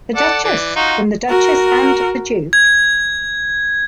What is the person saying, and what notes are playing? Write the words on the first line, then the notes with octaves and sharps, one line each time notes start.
"The Duchess" from The Duchess and The Duke!
A4 D5 F#5
E3 D5
D#4 F4 F#4
F#4 A#4
G#6